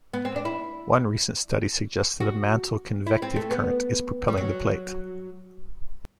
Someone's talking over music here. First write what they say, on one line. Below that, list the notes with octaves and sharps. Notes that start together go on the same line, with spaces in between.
One recent study suggests that a mantle convective current is propelling the plate.
B3
C4
D4
E4
F#4
E4
C4
A3
B3
G3
F#3